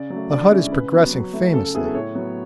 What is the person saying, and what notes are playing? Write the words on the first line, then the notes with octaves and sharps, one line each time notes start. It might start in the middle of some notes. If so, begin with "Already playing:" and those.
The hut is progressing famously.
Already playing: C#3 D5
F#3 A3
D3 D5
G#3 C#4 E4
C#3 B4
F#3 B3
F#3
A3 E4
C#3 A4
A4
F#3 B3 E4 G#4
A4
A2 C#5
F#3 B3